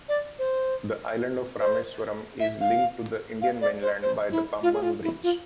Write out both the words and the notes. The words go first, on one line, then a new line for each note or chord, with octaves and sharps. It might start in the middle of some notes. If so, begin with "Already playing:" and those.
The island of Rameswaram is linked to the Indian mainland by the Pamban Bridge.
D5
C5
C5
E5
F5
F5
D5
C5
C5
E4
F4
G#4
F4
E4
F4